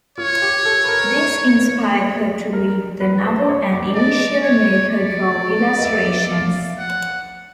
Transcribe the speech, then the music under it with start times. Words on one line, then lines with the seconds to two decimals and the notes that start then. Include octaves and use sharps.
This inspired her to read the novel and initially made her draw illustrations.
0.18 F4 C#5
0.42 G4
0.65 A4
0.84 B4
0.88 A#4
2.53 A#4
3.00 B4
3.25 C5
3.42 D5
3.49 C#5
3.72 D5
3.95 D5 D#5
4.42 C#5
4.89 D5
5.78 D#5
5.85 E5
6.24 E5
6.31 F5
6.78 F#5